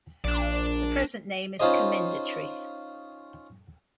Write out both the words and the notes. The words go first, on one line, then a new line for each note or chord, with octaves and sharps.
The present name is commendatory.
A#1 D4 D5
C#4 D#4 F4 G#4 C5 D#5